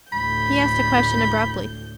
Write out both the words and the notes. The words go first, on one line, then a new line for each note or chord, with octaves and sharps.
He asked a question abruptly.
D2 A2 B5 G6